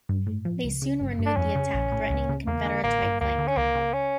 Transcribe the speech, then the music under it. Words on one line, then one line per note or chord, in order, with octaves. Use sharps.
They soon renewed the attack, threatening the Confederate's right flank.
G2
A2
F3
C#2
C#3
G1
G2
D4
F2 C#4
C#3
A#1
A2
C#2
C#3
E2 A#3
D3
A1 A#3
G2
D2 A#3
D3
C#4
C#2 A#3
C#3
C#4